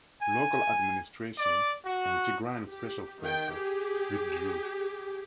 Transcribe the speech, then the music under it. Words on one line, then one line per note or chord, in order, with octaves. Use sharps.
Local administration and Tigrayan Special Forces withdrew.
G#5
D5
F#4
G4
D#3 G5
G4 G#4